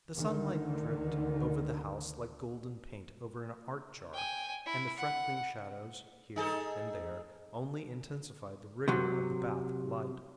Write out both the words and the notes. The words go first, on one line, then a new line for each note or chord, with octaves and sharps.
The sunlight dripped over the house like golden paint over an art jar, and the freckling shadows here and there only intensified the rigor of the bath of light.
D2 D3 D#3
G5 G#5
E4
F#5
D#4 G#4 A4
C3 F#3